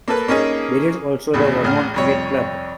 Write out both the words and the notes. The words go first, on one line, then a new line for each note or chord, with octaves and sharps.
There is also the Vermont Cricket Club.
A#3 A4 B4
A#3 C#4 D#4 G#4
A#1 E2 C#3
A1 F6
C2 F2 C#5